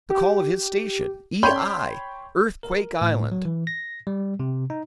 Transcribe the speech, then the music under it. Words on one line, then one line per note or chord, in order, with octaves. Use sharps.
The call of his station--"E. I."--Earthquake Island!
G4
C#5 G5 B5 C6 G6
A#4
A2
F#3
E3
A#6
G3
C3
D#4